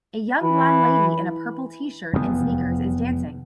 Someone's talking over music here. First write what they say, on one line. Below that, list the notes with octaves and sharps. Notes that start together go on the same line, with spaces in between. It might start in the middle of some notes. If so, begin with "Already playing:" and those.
A young blond lady in a purple tshirt and sneakers is dancing.
E3 B5
F1 E2 G#2 B3